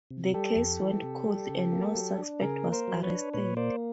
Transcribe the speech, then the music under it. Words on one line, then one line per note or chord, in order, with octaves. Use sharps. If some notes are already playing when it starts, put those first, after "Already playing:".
The case went cold, and no suspect was arrested.
C3
G3 G4 A4
F2
E3
C3
G3
C#3
A#3
F#3
D4
C#3 G#4 A#4
A#3
A#4 C5
F#3
B4 C#5
D4
A#2 B4 C#5
A#3 C5 D5